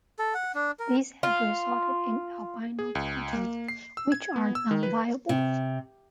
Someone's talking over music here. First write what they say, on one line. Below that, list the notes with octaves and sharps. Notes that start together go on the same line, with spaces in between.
These have resulted in albino progeny, which are non-viable.
A4
F#5
D4
A#4
F4
G#4
C#2
A#3
C7
E6
G#6
B3
E6
D#3
B4
C3